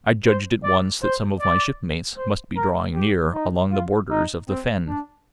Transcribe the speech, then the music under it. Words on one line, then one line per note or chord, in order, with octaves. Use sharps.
I judged at once that some of my shipmates must be drawing near along the borders of the fen.
C5
D5
C5
D5
C5
A#4
G4
D#4
F4
D#4
C4
D4